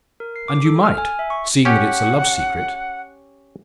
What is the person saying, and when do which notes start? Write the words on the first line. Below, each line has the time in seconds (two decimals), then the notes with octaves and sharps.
And you might--seeing that it's a love secret!
0.20 A#4
0.36 C7
0.48 D6
0.65 A4
0.83 F6
0.98 G#5
1.19 E5
1.30 C#6
1.65 C#4 G4 F#5